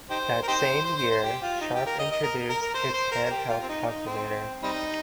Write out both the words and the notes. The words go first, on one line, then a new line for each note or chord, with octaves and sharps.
That same year, Sharp introduced its hand-held calculator.
D#4 G4 C5
A#4
D#4 G4 C5
C5
C5
C5
G4
F4
D#4
G4
A#4
D#5
D#5
A#4
A#4
A#4
C5
C5
A#4
A#4
G4
F4
C4
D#4
D#4
C4
G3 C4 D#4